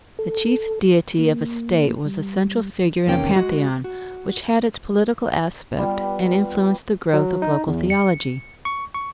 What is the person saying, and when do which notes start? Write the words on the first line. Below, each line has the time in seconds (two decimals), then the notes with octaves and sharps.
The chief deity of a state was the central figure in a pantheon, which had its political aspect and influenced the growth of local theology.
0.19 A4
1.18 A#3
2.05 G3
3.06 E2 C3 D#3 A#3 C#4 G5
3.34 G#3 F#4
3.84 F#4
5.79 G3 B3 F4 G4
7.13 F#3
7.42 D#4
7.68 E2
7.90 C#7
8.65 C#6
8.94 C#6